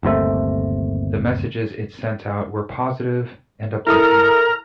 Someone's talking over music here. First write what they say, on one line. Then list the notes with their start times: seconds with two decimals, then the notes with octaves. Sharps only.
The messages it sent out were positive and uplifting.
0.03 G1 D#2 C3 A3
3.87 E4 A4 A#4 A#5 D#6 F6